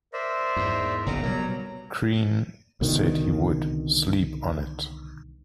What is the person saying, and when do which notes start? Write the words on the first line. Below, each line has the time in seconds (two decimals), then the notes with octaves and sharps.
Crean said he would "sleep on it".
0.13 A#4 C5 D5 E5
0.56 E2 G#2
1.06 F#1 B1 C#3 A#5
1.23 B2 F#3 G3
2.81 C2 B2 D3 D#3